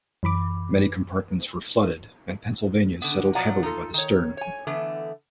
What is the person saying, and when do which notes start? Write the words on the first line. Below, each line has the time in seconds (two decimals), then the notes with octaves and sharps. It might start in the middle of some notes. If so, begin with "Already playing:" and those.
Many compartments were flooded and "Pennsylvania" settled heavily by the stern.
0.23 F#2 E3 B5 D6
3.02 D3 B3
3.35 B2 F3 F#3 D5 F#5 A#5
3.63 D#4 F4 A4
3.94 D#3 C#5
4.37 C#5 G#5
4.67 D3 E3 A3 B3